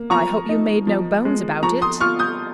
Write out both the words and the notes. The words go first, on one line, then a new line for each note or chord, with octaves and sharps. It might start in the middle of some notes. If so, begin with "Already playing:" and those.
"I hope you made no bones about it."
Already playing: A#3
F3 A#5 C#6
D#4
F3
G#3
F3 A#5 C#6
C6 D#6
F4 C#6 F6
D#6 G6